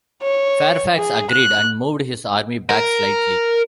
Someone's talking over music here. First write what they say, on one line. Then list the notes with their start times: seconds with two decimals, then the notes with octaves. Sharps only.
Fairfax agreed, and moved his army back slightly.
0.23 C#5
0.96 G#4
1.30 F#6
2.70 A#4